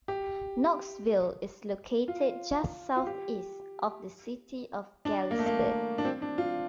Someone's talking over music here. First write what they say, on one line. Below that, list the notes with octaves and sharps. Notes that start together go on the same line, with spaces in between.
Knoxville is located just southeast of the City of Galesburg.
G4
F4
F4
G4
D4
A#3
A3
A#3
D4
C4
D4
F4